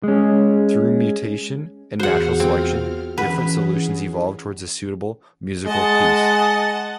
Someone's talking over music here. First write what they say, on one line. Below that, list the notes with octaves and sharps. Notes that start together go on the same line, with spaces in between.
Through mutation and natural selection, different solutions evolve towards a suitable musical piece.
G#3 C#4
E2 F4 F#4 G#4 C5 F#5 F6
C4
E3 C#4 G#4 B4 F#5
G#3 D#5 F#5 A5